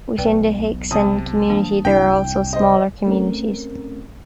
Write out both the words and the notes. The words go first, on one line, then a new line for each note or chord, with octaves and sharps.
Within the Hixson community, there are also smaller communities.
B1 B4 D5 G5
C3 A5 D#6
E3 A#3 D4
C2 D4 E4 G5
C5 D#5
A3 C4 C#4 A#4